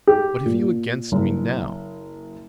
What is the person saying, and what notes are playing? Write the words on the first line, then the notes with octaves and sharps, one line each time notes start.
What have you against me now?
G4
A#2
F#1